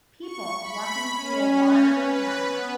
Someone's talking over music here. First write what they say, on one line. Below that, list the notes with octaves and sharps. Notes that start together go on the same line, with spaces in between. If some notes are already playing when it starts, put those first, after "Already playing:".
People walking through a watery path.
C#6
B5
C#4
C#4
B4
B3